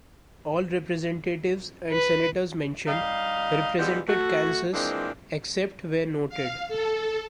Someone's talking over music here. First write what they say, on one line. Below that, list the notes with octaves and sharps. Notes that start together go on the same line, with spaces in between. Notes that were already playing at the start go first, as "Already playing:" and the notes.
All representatives and senators mentioned represented Kansas except where noted.
B4
G3 D#4 D#5 F5
E3 F3 G3 G#3 B3
A3 F#4
E3 F3 G#3 A#3 C4 D4
F5
A4